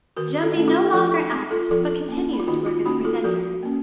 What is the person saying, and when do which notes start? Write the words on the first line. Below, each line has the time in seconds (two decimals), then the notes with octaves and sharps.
Josie no longer acts but continues to work as a presenter.
0.17 D#3 F#4 A#4
0.43 F4 A4
0.55 A3 C#4
0.68 F4 A4
0.93 F3 F4 A4
1.14 D#4
1.32 C4
1.51 F4 A4
1.70 F3 F4 A4
2.08 A#3 C#4
2.33 D#4
2.40 F4
2.47 D#3 D#4 F#4
2.66 F4
2.86 A#3 C#4 D#4 F#4
3.04 F4 A4
3.24 F3 F#4 A#4
3.63 A#3 C#4